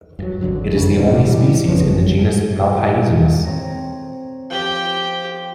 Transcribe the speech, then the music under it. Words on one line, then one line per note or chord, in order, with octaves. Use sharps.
It is the only species in the genus Malpaisomys.
G2 F#3
G#1 D#2 D3 F#3
F#2 C#3
D1 D#2 C3 G3
A2 E3 G3
G#1 F3 B3 C#4
C4 C#5 A#5
F3 G4 G5